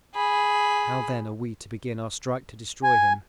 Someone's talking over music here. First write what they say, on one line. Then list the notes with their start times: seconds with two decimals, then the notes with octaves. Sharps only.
How then are we to begin our strike to destroy him?
0.15 G#4 B5
2.84 G#5